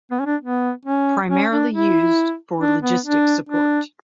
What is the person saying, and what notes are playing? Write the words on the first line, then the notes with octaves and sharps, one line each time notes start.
Primarily used for logistic support.
B3
C#4
D4
B3
C#4
C#4
D4
E4
D4
B3
D4
D4